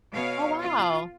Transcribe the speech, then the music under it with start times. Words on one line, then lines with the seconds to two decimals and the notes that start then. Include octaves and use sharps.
Oh, wow!
0.12 B2 C#5 F5
0.61 F4